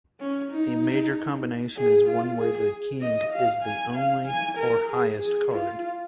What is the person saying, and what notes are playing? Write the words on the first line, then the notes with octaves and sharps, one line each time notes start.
A "major" combination is one where the King is the only or highest card.
C#4
D#4
G#4
F4
G#4
D#5
F5
G#5
F5
G#5
A#4
G#4
G#4
F4